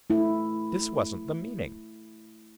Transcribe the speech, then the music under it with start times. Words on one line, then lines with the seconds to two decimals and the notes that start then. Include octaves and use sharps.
This wasn't the meaning.
0.10 A3 E4